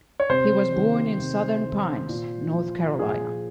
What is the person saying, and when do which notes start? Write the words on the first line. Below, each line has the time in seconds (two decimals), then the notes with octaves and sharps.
He was born in Southern Pines, North Carolina.
0.20 C#5
0.29 C3 C5
0.75 D#3
1.20 C3
1.64 D#3
2.09 A#2
2.54 F3
2.99 A#2 G#4